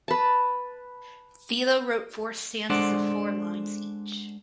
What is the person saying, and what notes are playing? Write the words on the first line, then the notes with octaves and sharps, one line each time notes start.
Thilo wrote four stanzas of four lines each.
B4 A5
G#3 D4 A4 C5 D5 F#5